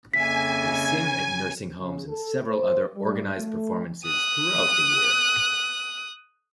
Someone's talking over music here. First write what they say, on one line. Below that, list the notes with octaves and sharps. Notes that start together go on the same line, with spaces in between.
They sing at nursing homes and several other organized performances throughout the year.
F2 C#3 A#3 E5 G#5 B6
C#3
A4
C5
G3
A3
D#6 F#6